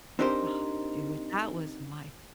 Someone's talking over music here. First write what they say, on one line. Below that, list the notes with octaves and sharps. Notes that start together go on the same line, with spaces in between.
Ah, dude that was my
C4 D4 D#4 G4 A#4 C5